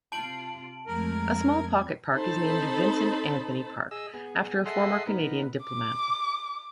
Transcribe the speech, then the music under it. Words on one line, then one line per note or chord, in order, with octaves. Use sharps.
A small pocket park is named Vincent Anthony park, after a former Canadian diplomat.
C3 F4 A5 D7 F#7
F2 G#3 A3 A#4 G#6
C4 D#4 A4 C5 A5 B5
G#4 D#5 E6
B3 G#4
G#4 A4 D#5 E5 F#5 C6
B3 D#4 A#4 B4
D6